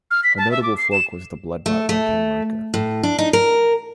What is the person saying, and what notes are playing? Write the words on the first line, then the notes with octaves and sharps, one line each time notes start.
A notable fork was blootbot by Tim Riker.
F6
B6
A5
E5
D6
C7
E7
A3
A3
A2
D4
D#4
A#4